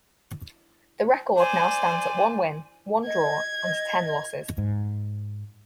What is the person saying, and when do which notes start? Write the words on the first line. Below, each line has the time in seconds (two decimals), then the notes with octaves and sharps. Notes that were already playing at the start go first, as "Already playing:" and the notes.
The record now stands at one win, one draw and ten losses.
1.38 C5 D5 G#5
3.06 D#5 G#6
3.62 D#5
4.58 G#2